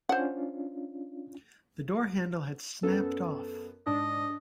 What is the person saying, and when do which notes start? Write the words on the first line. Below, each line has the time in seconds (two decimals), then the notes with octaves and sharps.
The door handle had snapped off.
0.09 C#4 D4 F4 C5 F#5
2.83 F#2 B3 C#4 A4
3.86 G#2 D4 D#5